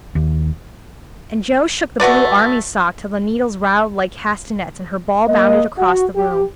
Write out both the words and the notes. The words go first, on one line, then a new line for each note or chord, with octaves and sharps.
And Jo shook the blue army sock till the needles rattled like castanets, and her ball bounded across the room.
D#2
A3 F#4 B4 D5
A#3 D#5
F#4
G4